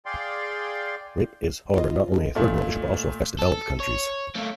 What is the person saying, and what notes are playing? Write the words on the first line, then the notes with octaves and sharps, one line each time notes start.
Rape is, however, not only a third world issue but also affects developed countries.
G#4 D5 F5 G5 C6
F4 D#5
A#2 A3
A4
C#5
A3 A#3